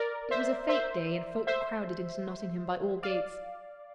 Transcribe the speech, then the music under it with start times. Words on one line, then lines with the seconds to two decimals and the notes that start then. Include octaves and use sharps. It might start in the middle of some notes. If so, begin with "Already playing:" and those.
It was a fete-day, and folk crowded into Nottingham by all gates.
Already playing: A#4 D5
0.31 C5 E5
0.69 C5 E5
1.47 C5 E5
3.03 D5 F5